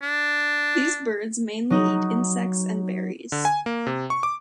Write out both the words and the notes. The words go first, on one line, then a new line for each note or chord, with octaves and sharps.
These birds mainly eat insects and berries.
D4
F#3 D#4
D3
G#5
A#3
C3
C#6
D6